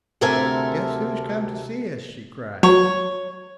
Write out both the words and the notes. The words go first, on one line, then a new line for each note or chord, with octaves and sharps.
"Guess who has come to see us!" she cried.
D2 C3 A4 A#4 E5 G#5
F#3 C#5